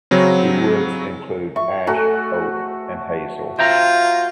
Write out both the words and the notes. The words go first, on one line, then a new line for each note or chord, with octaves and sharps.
The woods include ash, oak, and hazel.
C#3 F#3 C4 C#4
E5 C#6
A3 F#4 G#5 A#5
F4 C5 E5 G5 A#5